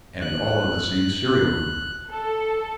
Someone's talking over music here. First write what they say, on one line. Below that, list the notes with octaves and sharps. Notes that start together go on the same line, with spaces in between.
"And all of the same serial number."
F#6
A4